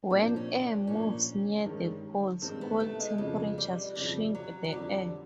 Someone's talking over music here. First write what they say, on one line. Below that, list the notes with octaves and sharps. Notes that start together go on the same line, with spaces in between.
When air moves near the poles, cold temperatures shrink the air.
A#2 F3 A#3 C4 D4
C#4
D4
A#2 F3 A#3 C#4 D4
G2 D#3 G#3
G2 D#3 G#3 C4
B3
A3
G#3
F2 C#3 F3 G#3
G3
F2 C#3 F3 G3
F#3
F#3
F2 D3 F3 G3